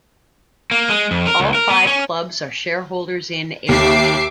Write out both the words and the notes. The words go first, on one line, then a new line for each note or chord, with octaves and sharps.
All five clubs are shareholders in Aironi.
A#3
G#3
F2
A#4
C#2
A#4
B3
C#4
D#2 E5 D6 C7